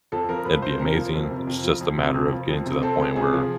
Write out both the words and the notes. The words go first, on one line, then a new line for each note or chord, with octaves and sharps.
it'd be amazing. It's just a matter of getting to that point where
F2 A4
F3 A#4
F2 B4
C3 C5
F2 A#4
F3
F2
C3
F2
F3
F2
C3
F2
F3
F2
C3
C4 A4
G#3
C3 G#4
F3